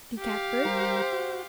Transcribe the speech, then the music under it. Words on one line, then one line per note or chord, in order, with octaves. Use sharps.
The Cat-bird.
G4 F5
G3 A#4 C5
F#4